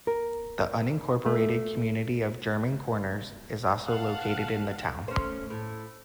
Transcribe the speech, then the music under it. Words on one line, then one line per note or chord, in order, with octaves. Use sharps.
The unincorporated community of German Corners is also located in the town.
A#4
A3
F5 F#5 A5
A3 C#4 C5
A2